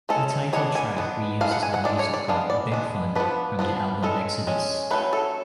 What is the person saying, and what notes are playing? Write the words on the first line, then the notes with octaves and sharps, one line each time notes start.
The title track reuses the music from "Big Fun", from the album "Exodus".
G#3 C#4 A4
G#3 B3 D4 C#5
G#5
G#3 B3 D4
G#3 D4 F5
F#5
G#5
F#5
G#3 D4 D5
C#5
D5
G#3 B3 D4 F5
D5
G#3 B3 D4
F3 B3 D4 B4
F3 B3 D4
G#3 C#4 A4
G#3 C#4
F#3 A3 C#4 B4
A4